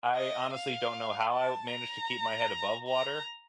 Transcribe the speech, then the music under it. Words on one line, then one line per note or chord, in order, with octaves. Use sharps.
I honestly don't know how I managed to keep my head above water,
D#5
F5
A5
A#5
A#5